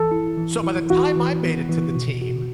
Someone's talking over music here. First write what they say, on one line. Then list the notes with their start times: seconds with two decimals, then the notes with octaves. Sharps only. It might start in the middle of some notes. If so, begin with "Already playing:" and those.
so by the time I made it to the team,
Already playing: E3 A4
0.11 E4
0.37 E3
0.64 E4
0.90 E3 F#4
1.16 E3
1.43 B3
1.69 E3
1.95 B2
2.22 F#4